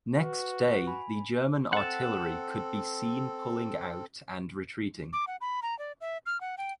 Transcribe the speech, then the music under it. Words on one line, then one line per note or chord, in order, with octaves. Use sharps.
Next day the German artillery could be seen pulling out and retreating.
F#4 B4
G#5 B5
C4 A4 F#5 A5
D6
F#5
B5
A#5
D5
E5
F6
F#5
G5